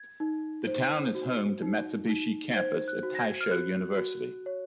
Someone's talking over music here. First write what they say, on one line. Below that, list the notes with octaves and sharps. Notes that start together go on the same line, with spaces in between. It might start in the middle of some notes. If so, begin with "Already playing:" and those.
The town is home to the Matsubushi Campus of Taisho University.
Already playing: G#6
D#4
C5
F#4
D#4
D#4
C5 G#6
F#6
F#4
A#6
G#6
F6
F#4 F#6
F#4
C#5